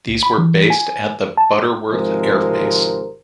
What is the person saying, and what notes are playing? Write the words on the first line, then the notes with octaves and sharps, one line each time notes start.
These were based at the Butterworth Air Base.
C2
B5
E3
G#5
A5
G#1 C3 F3 G#3 A#4 C5